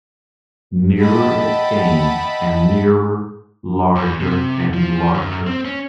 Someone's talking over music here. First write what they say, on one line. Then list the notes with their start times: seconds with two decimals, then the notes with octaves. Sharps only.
Nearer it came and nearer, larger and larger.
0.99 D#5 E5 F#5 G5 A5 B5
3.96 E2
4.20 C3
4.74 F3
5.14 F#2
5.47 C4
5.65 C#4